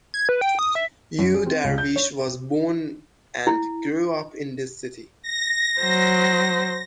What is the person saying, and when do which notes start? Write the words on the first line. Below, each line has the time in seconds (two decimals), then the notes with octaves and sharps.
Yu Darvish was born and grew up in this city.
0.14 G#6
0.29 B4
0.41 G5
0.59 D#6
0.75 E5
1.19 F#2
1.34 G#4
1.46 C4
1.64 C#2
1.78 G6
1.96 C#5
3.47 E4
5.22 A#6
5.81 F#3 C5